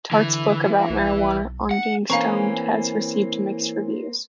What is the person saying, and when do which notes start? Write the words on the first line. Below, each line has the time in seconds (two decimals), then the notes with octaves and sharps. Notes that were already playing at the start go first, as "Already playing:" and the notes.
Tart's book about marijuana "On Being Stoned" has received mixed reviews.
0.12 D3 E3
0.89 B1
1.71 F#5
2.10 E3 A#3 C4 C#4 F5 A#5 C#6